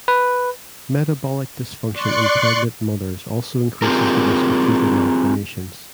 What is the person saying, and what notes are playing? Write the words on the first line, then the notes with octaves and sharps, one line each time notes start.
Metabolic dysfunction in pregnant mothers also increases the risk of fetal malformations.
B4
D5 C6 C#6 F#6 C#7
C4 F4 G4 G#4 A#4